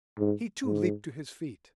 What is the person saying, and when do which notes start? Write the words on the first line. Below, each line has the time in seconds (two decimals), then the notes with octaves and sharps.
He, too, leapt to his feet.
0.18 G#2
0.65 G#2